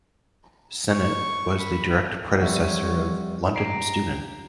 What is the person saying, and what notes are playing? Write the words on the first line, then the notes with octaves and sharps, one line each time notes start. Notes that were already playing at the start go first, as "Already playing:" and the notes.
"Sennet" was the direct predecessor of "London Student".
C#6
B5
F2 F3 G3 C#5 E5 F#5
G4 A#5 C7